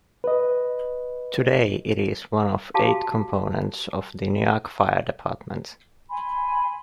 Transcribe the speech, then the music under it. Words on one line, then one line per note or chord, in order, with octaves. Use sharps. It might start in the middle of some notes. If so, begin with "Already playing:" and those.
Today it is one of eight components of the Nyack Fire Department.
B4 D#5
F#4 G4 F5 A5 D6
G#5 B5 C6